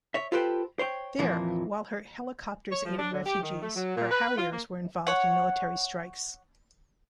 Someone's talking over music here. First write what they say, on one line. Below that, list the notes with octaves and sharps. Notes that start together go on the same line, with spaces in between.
There, while her helicopters aided refugees, her Harriers were involved in military strikes.
C#5 E5
F4 G4 A4 B4 C5 G5
C5 C#5 G5
F2 A#2 E3 F3 A#3
C#5
F3
D4
D3
G4
D#3
A3
F#3
A#2
B4
F4
A#3
C#5 F#5